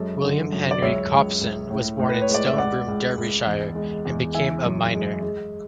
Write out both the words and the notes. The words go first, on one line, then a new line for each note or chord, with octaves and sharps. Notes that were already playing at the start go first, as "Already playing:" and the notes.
William Henry Copson was born in Stonebroom, Derbyshire, and became a miner.
Already playing: F#2 G#3 A4
D3
F#2
D5
C#2 C#5 E5
C#2
C#2
A2
A2
B4
C#5
G#3
D5
E5
C#2 D5 F#5
C#2
C#2
E2
G#3
E2
E3 E5 G#5
F#2
G#3
G#3